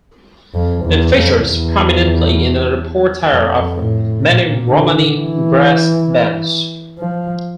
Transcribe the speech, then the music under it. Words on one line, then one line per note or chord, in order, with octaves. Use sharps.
It features prominently in the repertoire of many Romani brass bands.
F2
E2
F2
E2
F2
A2
A#2
D3
E3
F3